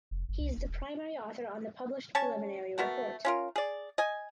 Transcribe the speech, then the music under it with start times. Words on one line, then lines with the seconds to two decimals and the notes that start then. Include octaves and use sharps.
He is the primary author on the published preliminary report.
0.11 F1
0.29 G1
0.40 C2
0.57 F1
0.69 E1
2.15 C#4 C#5 A5 C#6
2.78 A3 B3 F#4 A#4
3.25 C#4 F4 A#4
3.56 G#4 D5
3.98 D#5 G#5